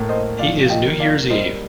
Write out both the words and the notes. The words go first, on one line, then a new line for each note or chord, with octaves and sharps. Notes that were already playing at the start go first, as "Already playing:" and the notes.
He is New Year's Eve.
Already playing: A2 A#3
C5 D#5
F3 D5 F5
F5
D#5 G5
A#3
D5 F5
G3 C5 D#5